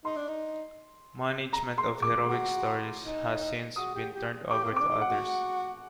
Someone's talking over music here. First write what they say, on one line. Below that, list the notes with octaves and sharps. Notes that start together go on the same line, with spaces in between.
Management of "HeroicStories" has since been turned over to others.
D#4 C6
D4
D#4
A#5
C6
D6
F#4
D#4
F#4 D#6
G4
G4
G4 D6
A#3
C4
D6
D4
D#4
F#5
F#4